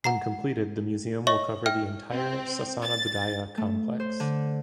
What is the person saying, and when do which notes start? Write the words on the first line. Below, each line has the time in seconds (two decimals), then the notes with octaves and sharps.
When completed, the museum will cover the entire Sasana Budaya complex.
0.04 F#5 A#5 C7
1.27 C#5 D#5 E5 C#6
1.66 E5 G5 F6
2.12 C4
2.82 A6
3.57 A3
4.00 C5
4.20 D3